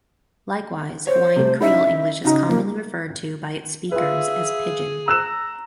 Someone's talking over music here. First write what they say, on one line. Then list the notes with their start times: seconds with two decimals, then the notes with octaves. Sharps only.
Likewise, Hawaiian Creole English is commonly referred to by its speakers as "Pidgin".
1.07 C5 C#5
1.36 C3 A3
1.61 C#4 D#4 E4 E5
2.25 C#3 D#4 F#4 A#5
2.49 F3 A#3
3.92 F4 G#4 B4 E5
5.08 A#5 E6 F#6 E7